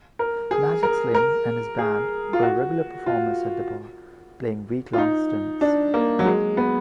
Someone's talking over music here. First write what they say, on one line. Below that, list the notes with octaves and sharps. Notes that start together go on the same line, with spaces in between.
Magic Slim and his band were regular performers at the bar, playing week-long stints.
A#4
G#4
A#4
A#4
G#4
F4
F#4
F4
F4
D#4
D4
A#3
F#3
G#3
B3